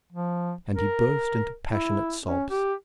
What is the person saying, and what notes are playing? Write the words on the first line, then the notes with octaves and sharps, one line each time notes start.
And he burst into passionate sobs.
F3
A#4
E4
C#4
G4